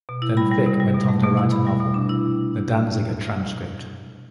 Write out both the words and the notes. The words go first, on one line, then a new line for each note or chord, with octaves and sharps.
Then Fick went on to write a novel, "The Danziger Transcript".
B2
E4
G3 B5
G3
C3
G3
B2
A3
B2
E4
B2 B5
G3
B2
D4
E4